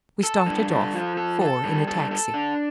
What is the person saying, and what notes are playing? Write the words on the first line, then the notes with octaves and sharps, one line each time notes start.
We started off--four in a taxi.
A4
G2
A4
F3
A4
A4
G2
A4
A4
D4